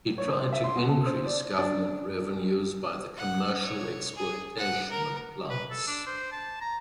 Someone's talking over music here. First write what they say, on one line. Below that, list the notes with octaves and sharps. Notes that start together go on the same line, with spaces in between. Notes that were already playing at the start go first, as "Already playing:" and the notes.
He tried to increase government revenues by the commercial exploitation of plants.
C#5
C5
E5
C6
B2
A4
C5
D5
D4
F#5
C#5
G#4
F#5
A#4
B4
A4
D4
C5
A5
A#5